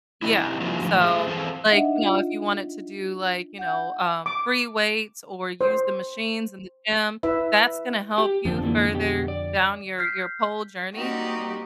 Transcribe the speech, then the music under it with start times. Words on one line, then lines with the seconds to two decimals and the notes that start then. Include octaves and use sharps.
Yeah. So, like, you know, if you wanted to do, like, you know, uh, free weights or use the machines in the gym, that's gonna help you further down your your pole journey.
0.22 G3 C4 D#4 E4
0.61 F3 F#3 A#3 D#4 F4
0.78 A2 D3 F3 C#4 F#4
1.01 A3 G#4
1.27 E3 C4 A4 C5
1.69 D4 D#4 D#5 E5 F#5
1.99 F4
3.59 F#5 G6
4.26 D6
5.61 C5
7.23 E4 B4 E5
8.18 G4
8.45 F2 D3 F3 C4 D4
8.63 A#2 E3 A#3
8.94 B2 G4
9.28 D5
9.99 F6 G6 B6 C7
10.95 G3 A#3 C4 D#4 F#4 G4